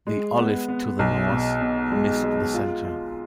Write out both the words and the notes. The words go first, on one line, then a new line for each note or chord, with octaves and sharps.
The" Olive" to the north missed the centre.
G#3
B3
B3
B1
B2
B2
G#3
G#3
F4
F4